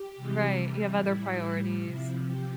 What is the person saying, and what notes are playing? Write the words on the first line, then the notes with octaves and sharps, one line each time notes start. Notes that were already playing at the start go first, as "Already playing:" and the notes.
Right, you have other priorities and
Already playing: G4
C3 E3 G3
A2 G3 E4
C3 F3 E4
G4